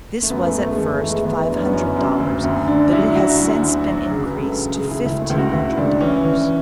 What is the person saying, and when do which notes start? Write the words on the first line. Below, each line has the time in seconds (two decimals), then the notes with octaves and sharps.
This was at first five hundred dollars, but it has since been increased to fifteen hundred dollars.
0.23 A3
0.30 F#2 B3
0.46 A3
0.54 F#2
0.62 A3
0.71 G#3
0.77 E3 A3
0.93 A3
1.01 E3
1.09 G#3
1.25 E3 B3
1.49 F#2 D4
1.57 C#4
1.65 B3
1.73 F#2 C#4
1.96 F#2
2.20 D2
2.44 D2
2.68 D3 D4
2.92 F#3 E4
3.15 D3 F#4
3.39 F#3
3.63 D2
3.86 F#3
4.10 C#3 G#4
4.26 B4
4.34 C#2
4.41 A4
4.58 C#3 G#4
4.74 G#4
4.82 C#3
4.90 E4
5.05 C#2 E4
5.21 A3
5.30 C#2
5.37 F#4
5.53 C#2 E4
5.77 C#2 D4
6.01 E3 C#4
6.24 E3